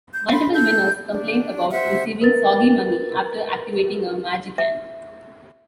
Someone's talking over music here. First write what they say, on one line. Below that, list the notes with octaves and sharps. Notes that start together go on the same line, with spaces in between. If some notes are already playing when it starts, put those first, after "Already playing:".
Multiple winners complained about receiving soggy money after activating a MagiCan.
G6
B5 C6
A4 G6
D4
C5 E5 F#5
A#4 B4 A6
E5